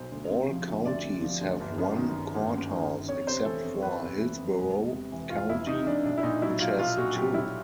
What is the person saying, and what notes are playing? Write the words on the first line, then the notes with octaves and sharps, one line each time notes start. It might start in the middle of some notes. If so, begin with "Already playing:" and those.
All counties have one courthouse except for Hillsborough County which has two.
Already playing: B1 C5
D2
C3
F3
D2
D2 D5
C3
F3
D2
G1
F#2
D#3
G1
G1
F#2
D#3
G1
F2 C#5
C3 C5
E3 A4
F2
F2 B4
C3
E3
F2
E1
E2
C3
E3
E1 F4
E2 E4
C3 D#4
E3 D4
B1 D4
E4
A#2 D#4
F#3 E4
B1 F4
B1 F4
A#2 F#4
F#3 G4
B1 E4